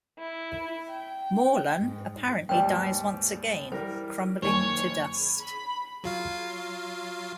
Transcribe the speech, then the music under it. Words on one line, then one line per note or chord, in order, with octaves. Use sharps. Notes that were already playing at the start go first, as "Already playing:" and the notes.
Morlun apparently dies once again, crumbling to dust.
E4
G5
G#2
D#2 G#2 G3 B4 C#5 D5 G5
E3 G3 A#4 C5
F#1 D#3 C#5 G#5
B5
F#3 F4 F5